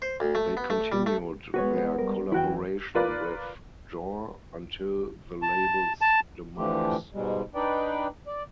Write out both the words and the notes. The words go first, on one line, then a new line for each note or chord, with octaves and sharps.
They continued their collaboration with Jor until the label's demise.
C5
D2
A3
B3
A3
G3
A3
G#3 B3 F#4 B4 C#5
G3 A#4
E2 E3 E4 F#4 G5
F4 A#4 B4 D5
A5
A5
D3 E3 F3 A3 G4
G#2 B2 G3 G#3
D4 D#4 B4 D5 G5
D5